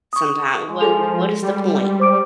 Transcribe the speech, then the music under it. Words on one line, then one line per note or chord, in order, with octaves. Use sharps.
sometimes. What what is the point?
C#6 D#6
G#3
F3 G#4 A4 F7
G3
C5 D6 D7